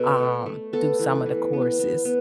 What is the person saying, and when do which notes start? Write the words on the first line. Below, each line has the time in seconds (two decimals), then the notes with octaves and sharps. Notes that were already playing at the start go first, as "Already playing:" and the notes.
um, do some of the courses.
Already playing: B2 A4 B4
0.20 A3
0.46 A3
0.73 B3 A4
0.99 E3
1.26 E3
1.53 B3
1.79 B3
2.05 B3